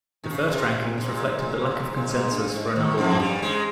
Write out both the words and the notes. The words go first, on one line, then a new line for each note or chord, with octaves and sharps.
The first rankings reflected the lack of consensus for a number one.
D#3
C#3
A#2
C3
A#2
G#2
A#2
G#2
A#2
G#2
A#2
G#2
A#2
G#2
G2
G#2
D#2 D#3
F2 F3
G2 G3
G#2 G#3